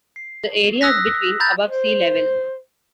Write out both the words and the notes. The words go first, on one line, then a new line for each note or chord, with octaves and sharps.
The area is between above sea level.
C7
D#6 E6 F#6 A#6 B6
A#5 B5 G6 A6
C5